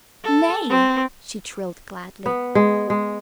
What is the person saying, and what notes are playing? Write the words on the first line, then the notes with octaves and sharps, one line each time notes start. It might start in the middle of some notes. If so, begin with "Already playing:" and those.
"Nay!" she trilled gladly.
A4
C4
B3
G#3
G#3